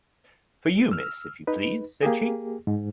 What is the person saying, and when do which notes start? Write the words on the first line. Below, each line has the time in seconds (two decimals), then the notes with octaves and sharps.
"For you, miss, if you please," said she.
0.91 E6 F6
1.47 D#4 B4
2.03 A#3 G4 G#4
2.67 G#2